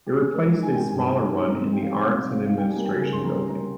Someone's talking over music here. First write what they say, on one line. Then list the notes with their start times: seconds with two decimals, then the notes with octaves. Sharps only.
It replaced a smaller one in the Arts and Administration building.
0.06 G4
0.20 G#4
0.34 G#3 A#4
0.54 D#4
0.63 G#5
0.72 D#3 G5
0.89 G2 G#5
1.08 G#3
1.27 D#4
1.38 C6
1.46 C4 A#5
1.65 D#4
1.73 G5
1.82 G3 F5
1.91 G5
2.01 C3 F5
2.20 C4
2.29 F5
2.39 D#4
2.47 F5
2.58 G3 G5
2.71 G#5
2.76 A#3
2.85 G5
2.94 C#3 G#5
3.12 C#2 C6
3.24 A#5
3.31 G3 G#5
3.47 A#3 A#5